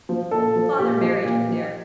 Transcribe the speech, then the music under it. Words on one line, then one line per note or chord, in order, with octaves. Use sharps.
Father married her there.
F3
A#2 A4
F3
A#2 G4
F3
A#2
F3